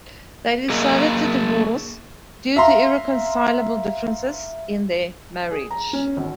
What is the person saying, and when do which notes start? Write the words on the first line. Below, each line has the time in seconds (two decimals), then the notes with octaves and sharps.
They decided to divorce due to irreconcilable differences in their marriage.
0.70 A#3 G#4 A#4 D#5 F5
2.56 E5 F5 A#5 C6
5.51 G#4
5.71 A#5
5.93 C#4
6.17 G#1